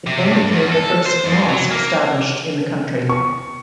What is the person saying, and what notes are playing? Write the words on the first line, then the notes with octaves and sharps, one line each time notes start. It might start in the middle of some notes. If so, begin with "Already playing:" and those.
It then became the first mosque established in the country.
C3
G2
E2
A4
C5
F2
F#3
A#3
C#6